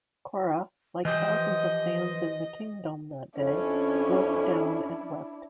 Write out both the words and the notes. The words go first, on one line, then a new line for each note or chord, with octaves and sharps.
Cora, like thousands of fans in the Kingdome that day, broke down and wept.
E3 F3 G4 D#5
F2 C#4 D4 E4